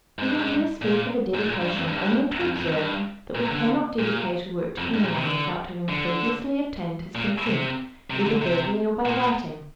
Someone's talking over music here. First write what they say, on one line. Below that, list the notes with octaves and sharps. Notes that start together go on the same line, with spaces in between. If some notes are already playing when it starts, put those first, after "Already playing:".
We will here speak of a dedication only to observe, that we cannot dedicate a work to any one, without having previously obtained his consent, either verbally or by writing.
G#2
G2
G#2
A#2
G#2
A#2
G2
F2
G2
G2
F2
F2
G2
A#2
D3
A#2
F2
G2
A#2
C3
D3
D3
A#2
C3
C3
D3
C3
A#2